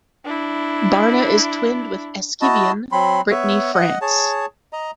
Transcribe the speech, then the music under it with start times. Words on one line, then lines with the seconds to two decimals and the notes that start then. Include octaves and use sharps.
Barna is twinned with Eskevien, Brittany, France.
0.25 D4 E4
2.41 E4 F#4 D#5 A5
2.92 F#3 C4 B5 C6
3.30 B3 C#5 E5
3.74 D#5 F#5
4.02 G#4 C#5 A5
4.73 D#5 A#5